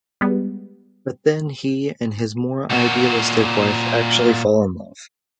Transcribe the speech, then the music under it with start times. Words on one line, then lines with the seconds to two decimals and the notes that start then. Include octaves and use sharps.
But then he and his more idealistic wife actually fall in love.
0.21 G3 G#3 B3
2.70 A#2 F#4